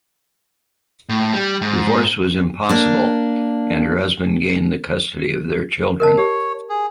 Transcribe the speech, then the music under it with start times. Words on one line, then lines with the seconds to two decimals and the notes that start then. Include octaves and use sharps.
Divorce was impossible and her husband gained the custody of their children.
1.09 A2
1.34 G3
1.62 G#2
2.69 A#3 D4
6.00 A#4 D#5 A5
6.18 G4 C#5
6.69 G#4